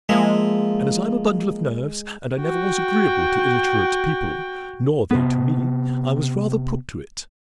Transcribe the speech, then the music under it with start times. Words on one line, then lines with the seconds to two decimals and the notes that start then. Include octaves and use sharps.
And as I'm a bundle of nerves, and I never was agreeable to illiterate people, nor they to me, I was rather put to it.
0.09 F3 G#3 A#3 E5
2.41 F#4 G5
5.11 C3 B3